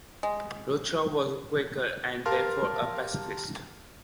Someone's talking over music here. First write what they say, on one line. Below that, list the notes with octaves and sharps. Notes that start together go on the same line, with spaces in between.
Rochow was a Quaker and, therefore, a pacifist.
G#3
G4 A#4 F5 A5 C6 F6